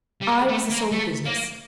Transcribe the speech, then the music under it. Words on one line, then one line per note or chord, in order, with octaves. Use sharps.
I was the soul of business.
G3
G#3
A3
A#3
A3
A#3